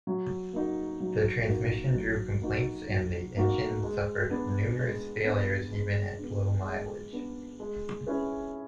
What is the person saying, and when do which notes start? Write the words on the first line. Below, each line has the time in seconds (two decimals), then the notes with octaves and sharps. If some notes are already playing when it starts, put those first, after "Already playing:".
The transmission drew complaints and the engine suffered numerous failures even at low mileage.
0.07 F#3
0.53 A#3 D#4 F#4
1.00 F#3
1.48 A#3 D#4 F#4
1.95 F#3
2.42 A#3 D#4 F#4
2.89 F#3
3.37 A#3 D#4 F#4
3.83 G#3
4.30 B3 D4
4.78 G#3
5.24 B3 D4
5.71 G#3
6.18 B3 D4
6.65 G#3
7.13 B3 D4
7.60 G#3
8.07 C#4 E4 G#4 B4